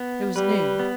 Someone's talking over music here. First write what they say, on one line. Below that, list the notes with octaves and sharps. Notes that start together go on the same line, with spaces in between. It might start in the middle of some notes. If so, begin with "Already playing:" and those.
It was noon.
Already playing: B3
G3 B4
B3